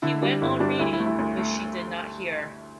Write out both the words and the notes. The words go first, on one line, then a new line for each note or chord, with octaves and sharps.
He went on reading, but she did not hear.
D3 E4
G3 D4
G1 E4
G3 D4
D2 E4
E4
A3
E4
D2
A3